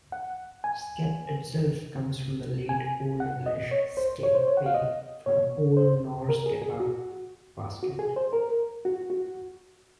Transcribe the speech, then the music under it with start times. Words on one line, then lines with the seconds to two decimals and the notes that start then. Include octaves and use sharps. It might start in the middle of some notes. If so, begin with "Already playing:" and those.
'Skep' itself comes from the Late Old English "sceppe", from Old Norse skeppa 'basket'.
0.12 F#5
0.64 G#5
2.69 G#5
3.20 F#5
3.46 D#5
3.71 C#5
3.97 C5
4.23 C#5
4.35 C5
4.48 C#5
4.57 F#5
4.66 F5
4.74 D#5
5.26 C#5
5.77 C5
6.29 A#4
6.46 G#4
6.62 G#4
6.80 F#4
7.83 F#4
7.99 G#4
8.16 C5
8.33 A#4
8.85 F#4
9.10 F#4